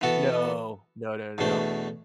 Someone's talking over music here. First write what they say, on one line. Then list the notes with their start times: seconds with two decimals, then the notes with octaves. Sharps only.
No. No, no, no.
0.01 E3 B3 F#4 A4
1.38 E2 B2 A3 D4